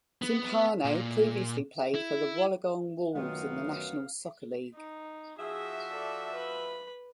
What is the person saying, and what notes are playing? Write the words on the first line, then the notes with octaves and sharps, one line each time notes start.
Timpano previously played for the Wollongong Wolves in the National Soccer League.
B3
A#2
E4
F#2 D#3 F#3 A3 B3 F4 F5
D#4
F3 F#4 G#4 E5
A4 D5
B4 B5